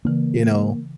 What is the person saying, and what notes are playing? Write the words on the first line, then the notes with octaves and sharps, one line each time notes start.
you know
C#3 E3 A#3